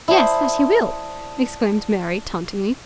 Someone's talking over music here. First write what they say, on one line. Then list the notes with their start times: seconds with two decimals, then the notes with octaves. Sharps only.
"Yes, that he will!" exclaimed Mary, tauntingly.
0.08 E4 C5 D5 A5 D#6